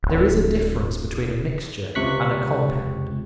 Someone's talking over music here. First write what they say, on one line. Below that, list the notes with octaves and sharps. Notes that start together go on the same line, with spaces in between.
There is a difference between a mixture and a compound.
D1
C#2 C3 C#6 F#6 B6